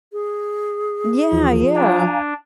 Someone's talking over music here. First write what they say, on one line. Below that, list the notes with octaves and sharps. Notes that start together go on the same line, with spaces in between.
Yeah, yeah.
G#4
D#2 E3 F3
D4 F5 G#5 A#5